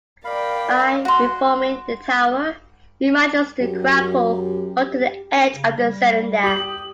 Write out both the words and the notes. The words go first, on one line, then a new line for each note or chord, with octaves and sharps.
By reforming the tower, he manages to grapple onto the edge of the cylinder.
A#4 D5 F5 G5 B5
F#4 C6
F#2 G4
C#3
G3
G4 D#6 F#7